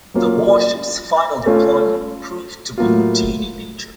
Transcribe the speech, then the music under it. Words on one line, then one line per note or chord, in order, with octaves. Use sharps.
The warship's final deployment proved to be routine in nature.
F#3 A#3 C#4 F4
A3 C#4 F4
A2 F#3 A#3 F4